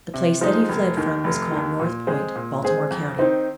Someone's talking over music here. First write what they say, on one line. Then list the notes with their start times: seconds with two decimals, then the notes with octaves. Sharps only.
The place that he fled from was called North Point, Baltimore county.
0.14 C3
0.41 F3 G#3 D#4
0.69 F1
0.97 D#2 D#3
1.24 F1
1.52 D#2 D#3
1.80 A#2
2.07 G#3 C4 G#4 C5
2.36 A#2
2.62 G#3 C4 G#4 C5
2.91 F2
3.19 D#3 C4 D#4 C5